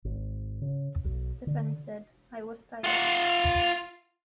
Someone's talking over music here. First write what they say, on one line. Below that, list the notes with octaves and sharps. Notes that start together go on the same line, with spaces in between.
Stefani said, I was tired.
G#1
C#3
B1
D3
F4 F#5